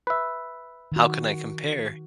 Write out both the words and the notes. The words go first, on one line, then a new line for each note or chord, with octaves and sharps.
How can I compare?
B4 E5
D#3 F#4